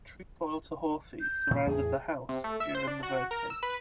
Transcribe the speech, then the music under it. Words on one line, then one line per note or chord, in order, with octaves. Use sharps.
Troops loyal to Horthy surrounded the House during the voting.
G6
A#2 D#3 F#3
E2 A2 G#4
C3
A3
E5
C5
D4
F#4
A#4
E6
B4